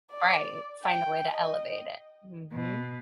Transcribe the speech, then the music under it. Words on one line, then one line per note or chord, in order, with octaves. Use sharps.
Right, find a way to elevate it, mhm.
D5
G5
D#5
B2